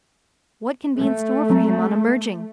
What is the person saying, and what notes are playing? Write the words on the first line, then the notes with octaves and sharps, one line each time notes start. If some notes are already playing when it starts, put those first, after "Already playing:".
What can be in store for him on emerging?
A3
F#3 C4 A#5